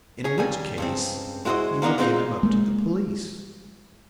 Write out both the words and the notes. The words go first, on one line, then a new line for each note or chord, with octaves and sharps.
"In which case you would give him up to the police."
C#4 G#4
D#2 G3 G#5
C#2 G2 C4
G#3 E4 F#4 B4 C5 D#5
A#3 B3 D4 A#4 D#5
G#3 B3 C4 D4 D#4 F4
G#3 A#3